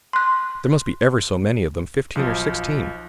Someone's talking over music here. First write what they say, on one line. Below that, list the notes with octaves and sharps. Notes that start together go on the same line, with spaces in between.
There must be ever so many of them, fifteen or sixteen.
C6 F#6
B1 F3